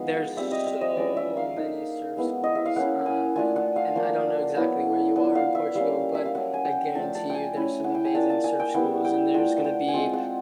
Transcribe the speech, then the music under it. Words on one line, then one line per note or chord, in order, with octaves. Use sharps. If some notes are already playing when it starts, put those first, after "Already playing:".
there's so many surf schools. Um, and and I don't know exactly where you are in Portugal, but I guarantee you there's some amazing surf schools, and there's gonna be
Already playing: F3 G#3 B3 D#4 F5
G3 C4 F4 E5
D#5
E5
D#5
F3 G#3 C#4 D5
E5
F5
A#3 D#4
G#3 B3 E4
D#5
E5
F5
A#3 C#4 E4 F#5
G#5
A3 D4 F4 G#5
F#5
F5
F3 A#3 D4
F#3 B3 E4
F#3 B3 D4 F4 F#5
F5
E5
G3 A#3 C#4 F5
E5
F5
F#3 A#3 C#4 F#5
G#5
G5
F3 A3 D4 F4 A5
A5
G5 G#5
A3 C#4 E4
F#5
G5
G#5
A#3 D4 F4 A5
A5
G#5
G5
G3 B3 E4 F#5
G5
A3 D4 F4 G5
F#5
G5
G#5
G#3 C4 F4 G5
F#5